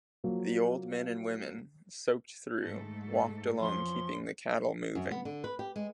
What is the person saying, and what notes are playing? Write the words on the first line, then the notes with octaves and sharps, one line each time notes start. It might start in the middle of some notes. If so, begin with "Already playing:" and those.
The old men and women, soaked through, walked along keeping the cattle moving.
F3 F#3 A#3
G#2 A3 A4
F2 E3 F3 C#4 C6
F#2
B3
D3
B4
G4
G#3